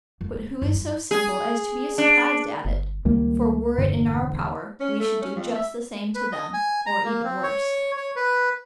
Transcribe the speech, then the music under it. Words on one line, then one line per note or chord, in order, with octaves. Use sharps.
But who is so simple as to be surprised at it? for were it in our power, we should do just the same to them, or even worse.
F2
D3
G2 D#3
G2
G#4
D4
G1
C#2 D#3 G3 A#3
E1 G2 D3
C#4
A3
C#4
F2
E5
B4
D#5
G#5
A#5
A#3
C4
C#5
C#5
B4